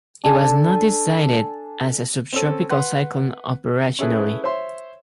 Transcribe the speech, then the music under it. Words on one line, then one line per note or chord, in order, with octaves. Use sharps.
It was not designated as a subtropical cyclone operationally.
D4 A4 G#5
C4 C#4 A4
B4 F#5 C6
C#4 E4 G#4 A4 B4
C5 C#5 E5 C6